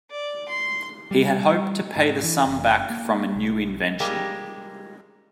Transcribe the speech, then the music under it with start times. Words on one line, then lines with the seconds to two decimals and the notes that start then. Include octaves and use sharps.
He had hoped to pay the sum back from a new invention.
0.11 D5
0.48 C6
1.11 G3
1.96 G#2
2.23 E3
2.46 F#1
2.90 A#3
3.35 B1
4.00 G3 G#3 A#3 G4